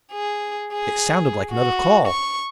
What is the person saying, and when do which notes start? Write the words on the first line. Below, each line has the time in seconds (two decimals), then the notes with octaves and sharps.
"It sounded like another call."
0.12 G#4
0.73 G#4
1.52 F#4
2.07 C#6